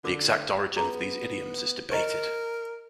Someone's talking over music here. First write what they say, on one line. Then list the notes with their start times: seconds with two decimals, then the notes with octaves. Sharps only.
The exact origin of these idioms is debated.
0.04 D3 F4 A#4 D6
0.77 B3 F4 G#4 A#5
1.91 A#4 D#5 A#5 C#6